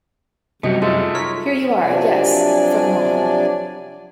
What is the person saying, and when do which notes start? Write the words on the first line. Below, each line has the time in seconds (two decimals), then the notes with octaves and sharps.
Here you are, yes — for the moment.
0.63 F#2 C3 G3 A3 F#4 G4 D#5
0.82 G#3 D#4 F4 A4 E5
1.15 A#4 C#5 B6
1.81 C3 F3 F#3 D4 D5 G#5